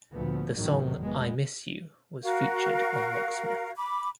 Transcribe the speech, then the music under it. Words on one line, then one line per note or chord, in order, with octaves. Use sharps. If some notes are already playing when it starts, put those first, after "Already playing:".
The song "I Miss You" was featured on Rocksmith.
D2 A#2 F3 A3 B3
A1 E2 G#2 D#3 F#3
F1 G#3 B3
F#4 A#4 F5
B5 D6